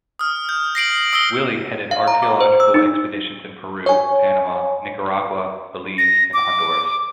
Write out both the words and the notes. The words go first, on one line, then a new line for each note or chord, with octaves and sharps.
Willey headed archaeological expeditions in Peru, Panama, Nicaragua, Belize and Honduras.
D#6 F6
G6
A#6 C7 D7 F#7
D#6 E6 A#6 G7
F5
A#5
D6
C5
E6
D#4
C#5 G#5
A#6
D6